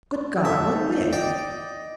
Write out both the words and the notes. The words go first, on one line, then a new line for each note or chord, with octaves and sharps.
'Good God! what with?'
A4 E5
D#4
D5 D#5 G5 D6